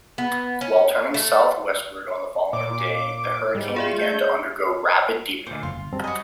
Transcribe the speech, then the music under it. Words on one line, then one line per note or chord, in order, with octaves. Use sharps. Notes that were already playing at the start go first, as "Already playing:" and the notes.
While turning southwestward on the following day, the hurricane began to undergo rapid deepening.
B3
C#4
A3
A#2 D6
G#2 G3
F4 G#4 D5 E5
A3 G6
D2 A#2 C5 D6
F#1 F4 C6
G1
F#2 G3 C4 A5
F#4 D#5 G#5 B5